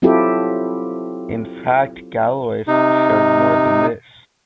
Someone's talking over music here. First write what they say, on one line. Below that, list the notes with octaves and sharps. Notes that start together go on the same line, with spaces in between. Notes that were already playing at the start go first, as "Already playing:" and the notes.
In fact, Galois showed more than this.
F#3 C4 E4 F4 G4 A4
C3 D#4